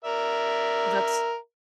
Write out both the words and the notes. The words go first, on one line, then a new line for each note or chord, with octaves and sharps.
Well that's
A#4 D5 E5